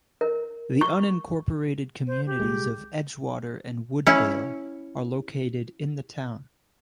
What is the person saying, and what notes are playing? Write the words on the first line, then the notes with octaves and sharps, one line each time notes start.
The unincorporated communities of Edgewater and Wooddale are located in the town.
A#4
C#6
C5
G4
C2 G#3
C#4 E4